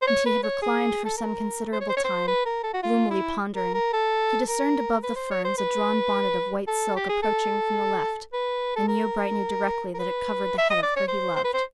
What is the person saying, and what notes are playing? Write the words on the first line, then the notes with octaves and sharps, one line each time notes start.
When he had reclined for some considerable time, gloomily pondering, he discerned above the ferns a drawn bonnet of white silk approaching from the left, and Yeobright knew directly that it covered the head of her he loved.
C5
C#5
B4
C#5
G#4
A4
A#4
C5
C#5
C5
C#5
C5
B4
A#4
A4
F#4
F4
E4
A#4
A#4
A4
A#4
B4
C5
C#5
C5
B4
A4
G4
G#4
A4
B4
A4
A#4
A#4
B4
E5
D#5
D5
C#5
C5
C5
B4
C5